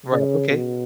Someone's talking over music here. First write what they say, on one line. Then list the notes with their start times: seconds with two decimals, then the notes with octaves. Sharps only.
Right, okay,
0.13 C#3
0.51 B2